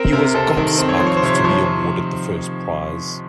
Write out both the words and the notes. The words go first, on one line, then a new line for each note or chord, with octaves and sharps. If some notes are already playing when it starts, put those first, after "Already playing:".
He was gobsmacked to be awarded the first prize.
Already playing: C4 A#4
C3 A#4
C4 A4
D#3 A#4
C4 C5
C#5
F3 C5
C#5
C5
C3 C#5
C5
F3 C#5